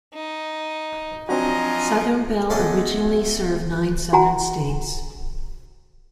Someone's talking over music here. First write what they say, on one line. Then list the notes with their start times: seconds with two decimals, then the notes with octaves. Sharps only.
Southern Bell originally served nine Southern states.
0.14 D#4
1.29 F3 F#3 C4 D4 F#4 D#5 G#5 A#5
2.50 G#3 A3 B3 C#4 D5 D#5
4.13 F#4 F#5 G#5 A#5